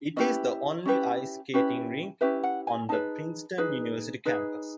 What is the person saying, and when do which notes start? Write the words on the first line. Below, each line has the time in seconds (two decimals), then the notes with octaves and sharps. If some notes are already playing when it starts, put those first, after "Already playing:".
It is the only ice skating rink on the Princeton University campus.
0.16 C#4 E4 G4 B4 D#5
0.85 C#4 E4 G4 B4
1.54 C#4 E4 G4 B4
2.21 C#4 E4 G4 B4 E5
2.43 F#5
2.67 G#5
2.89 D#4 G#4 B4 A5
3.58 D#4 G#4 B4
4.25 D#4 G#4 B4